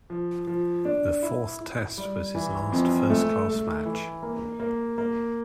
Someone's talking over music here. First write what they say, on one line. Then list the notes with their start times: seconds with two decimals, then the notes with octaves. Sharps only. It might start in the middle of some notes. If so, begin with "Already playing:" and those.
The Fourth Test was his last first-class match.
0.10 F3
0.47 F3
0.85 D4
1.22 E4
1.60 E4
1.98 G3
2.35 E3
2.72 F2
3.10 A3
3.48 A3
3.85 E3
4.23 A#3
4.60 A#3
4.98 A#3